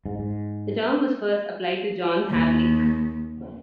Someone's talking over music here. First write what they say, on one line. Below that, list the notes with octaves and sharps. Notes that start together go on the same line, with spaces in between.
The term was first applied to John Havlicek.
G#2
G#2
D#2